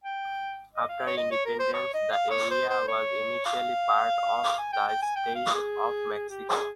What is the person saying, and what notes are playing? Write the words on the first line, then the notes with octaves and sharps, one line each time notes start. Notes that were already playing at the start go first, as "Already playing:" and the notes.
After Independence, the area was initially part of the State of Mexico.
G5
D#5
F5
C#5
D#5
C#5
A#4
C5
C#5
D#5
F5
C#5
C5
C5
C#5
F5
G#5
G5
G5
G#5
G5
F5
G#4
G4
G#4